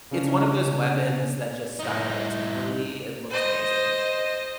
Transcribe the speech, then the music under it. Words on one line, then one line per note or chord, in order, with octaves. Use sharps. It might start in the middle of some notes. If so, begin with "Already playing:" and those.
it's one of those weapons that just stylistically, it looks amazing.
C#3 C#4 D4
A2 D#4
C5 D#5